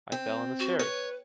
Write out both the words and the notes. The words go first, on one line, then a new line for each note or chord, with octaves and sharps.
I fell in the stairs.
C4
F#4
B4 C#5